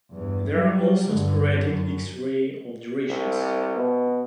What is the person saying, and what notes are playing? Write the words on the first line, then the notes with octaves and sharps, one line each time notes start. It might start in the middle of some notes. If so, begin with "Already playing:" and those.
There are also sporadic X-ray off durations.
E2 G2
F#3 G3
G2 D3
F#2
C2
B2